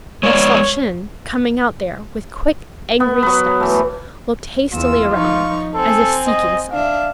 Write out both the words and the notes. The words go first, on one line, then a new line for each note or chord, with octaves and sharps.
Rostopchin, coming out there with quick angry steps, looked hastily around as if seeking someone.
G#3 B3 C#5 D5
B3
F#3 B4
E3 A3
E2 F4 E6
F3 D#4 C#6
C4 A4 G#5
D#5
D4 E5 F5